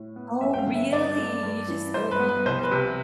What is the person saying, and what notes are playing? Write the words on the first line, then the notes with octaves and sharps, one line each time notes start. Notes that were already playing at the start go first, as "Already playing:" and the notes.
Oh, really? You just sold me on that.
Already playing: A2
B3
G2 E5
G5
F5
D3
E5
G2 D5
A3
G2
E3
G2 C5
B4
B3
B4
C2 C5
B4
C3